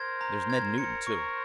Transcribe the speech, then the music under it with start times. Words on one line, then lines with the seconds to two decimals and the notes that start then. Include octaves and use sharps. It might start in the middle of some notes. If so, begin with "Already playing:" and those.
There's Ned Newton, too.
Already playing: A#4 C5 G#6
0.21 A#5
0.50 G#6
0.78 A#4 C5 C#7
1.07 C#6